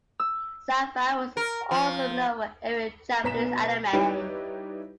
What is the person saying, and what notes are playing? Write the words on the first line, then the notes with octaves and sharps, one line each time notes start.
Syfy was also known for airing Japanese anime.
E6
A#4
F3
B1 B3 A#5 B6 E7
G3 D#4 E4 G4 B4 C#5